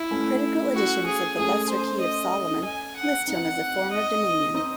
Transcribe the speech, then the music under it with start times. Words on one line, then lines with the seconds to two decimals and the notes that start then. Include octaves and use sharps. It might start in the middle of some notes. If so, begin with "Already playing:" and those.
Critical editions of the "Lesser Key of Solomon" list him as a former Dominion.
Already playing: E4
0.11 A3 C#4
0.75 F#4
1.06 G#4
1.38 A3 C#4 G#4
1.70 C5
2.01 D#5
2.64 G#5
2.96 F#5
3.27 C4 D#4 F#5
3.91 D#5
4.54 C4 D#4